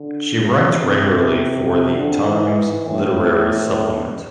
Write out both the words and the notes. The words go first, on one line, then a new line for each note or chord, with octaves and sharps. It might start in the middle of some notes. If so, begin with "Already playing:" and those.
She writes regularly for the Times Literary Supplement.
Already playing: D3
C3
C3
D3
E3
A2